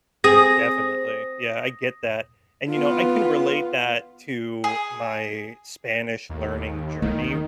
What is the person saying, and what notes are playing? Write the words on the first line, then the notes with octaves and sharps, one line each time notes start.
Definitely. Yeah, I get that. And, you know, I can relate that to my Spanish learning journey
C4 G#4 D#6 A#6
B3 F4
G#4
D#2
D#3 A#3 D#4